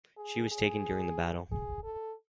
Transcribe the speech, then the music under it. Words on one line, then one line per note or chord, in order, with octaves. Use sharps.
She was taken during the battle.
G#4
G#4
G#4
A4